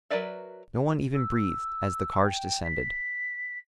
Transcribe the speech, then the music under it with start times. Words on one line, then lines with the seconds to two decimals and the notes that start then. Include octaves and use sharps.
No one even breathed as the cards descended.
0.10 F#3 A#4 B4 D5 E5
1.15 E6
2.23 G5
2.64 B6